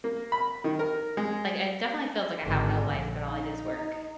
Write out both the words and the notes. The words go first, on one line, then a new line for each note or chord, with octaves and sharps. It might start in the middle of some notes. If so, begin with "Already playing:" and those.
like, it definitely feels like I have no life, but all I do is work.
A#3
B5
D#3
A#4
G#3
G#1 D3
A#1
D#4